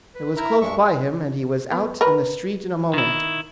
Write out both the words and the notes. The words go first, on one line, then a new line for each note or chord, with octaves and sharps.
It was close by him, and he was out in the street in a moment.
B4
E4 A#4 E5 A#5
G2 G#3 C#6
B3
A#4 B4
D#3 E4